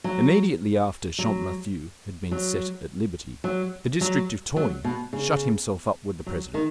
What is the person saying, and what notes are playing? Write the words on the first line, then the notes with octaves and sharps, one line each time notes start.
Immediately after Champmathieu had been set at liberty, the district-attorney shut himself up with the President.
F#3
F#3
F#3
F#3
F#3
F#3
B2
C#3
F#3
D#3